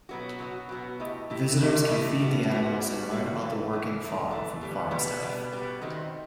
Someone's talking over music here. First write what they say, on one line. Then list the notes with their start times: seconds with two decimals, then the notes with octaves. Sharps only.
Visitors can feed the animals and learn about the working farm from farm staff.
0.09 B2 F#3 B3 F#4
0.39 B2 F#3 B3 F#4
0.69 B2 F#3 B3 F#4
1.00 A3 E4 G4 D#5
1.30 A3 E4 G4 D#5
1.60 A3 E4 G4 D#5
1.90 A3 E4 G4 D#5
2.20 A2 G3 B3 F#4
2.51 A2 G3 B3 F#4
2.80 A2 G3 B3 F#4
3.11 A2 G3 B3 F#4
3.41 A2 E3 A3
3.71 A2 E3 A3
4.00 A2 E3 A3
4.31 A2 E3 A3
4.61 B2 G3 B3
4.91 B2 G3 B3
5.22 B2 G3 B3
5.52 B2 G3 B3
5.81 D#3 A3 C4 D#4 F#4